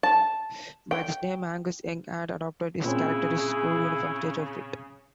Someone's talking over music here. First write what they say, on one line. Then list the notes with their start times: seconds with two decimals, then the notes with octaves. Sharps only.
By this time, Angus Young had adopted his characteristic school-uniform stage outfit.
0.03 A5
0.91 G5
2.84 A#2 C#3 C4 C#4 E4 G#4